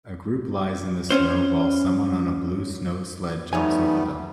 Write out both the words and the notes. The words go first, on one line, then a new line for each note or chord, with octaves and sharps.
A group lies in the snow while someone on a blue snow sled jumps over them.
C#4 C5
F#2 G3 A3 B3 D#4 C#5 G#5